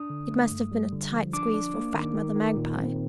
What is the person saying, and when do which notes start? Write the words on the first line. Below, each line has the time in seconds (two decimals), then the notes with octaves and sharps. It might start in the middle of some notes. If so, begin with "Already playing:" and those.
It must have been a tight squeeze for fat Mother Magpie!
Already playing: D4 D#6
0.10 D3
0.30 A3
0.50 G2
0.72 G3
0.92 D3
1.12 F3
1.33 D4 D6
1.54 D4
1.74 A#3
1.94 D#3
2.15 D#3
2.36 D#3
2.56 A#2
2.77 C4